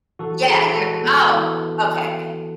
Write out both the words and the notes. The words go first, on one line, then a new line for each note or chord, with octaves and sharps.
yeah you're oh, okay.
E3 F#4 A4
E3 G#4
G#3 F#4 A4
B3
E3